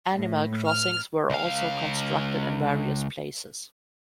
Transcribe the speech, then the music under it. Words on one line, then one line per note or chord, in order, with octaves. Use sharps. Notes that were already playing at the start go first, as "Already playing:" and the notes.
Animal crossings were also constructed in various places.
A2
F6
C#2 F5